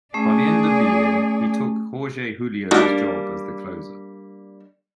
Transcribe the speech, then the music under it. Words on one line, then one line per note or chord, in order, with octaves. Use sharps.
By the end of the year, he took Jorge Julio's job as the closer.
A3 C#4 G#4 D5
G3 A3 A#3 D4 D#4 F#4